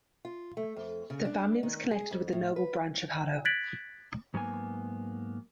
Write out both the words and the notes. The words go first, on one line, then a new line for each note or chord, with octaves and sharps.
The family was connected with the noble branch of Haddo.
F4
A3
F2
C#3
D4
D#3
G#4
F2
A2
B4
F#6 G#6 A6 B6 D7 F#7
G#2 F#3 A#3 B3 G#5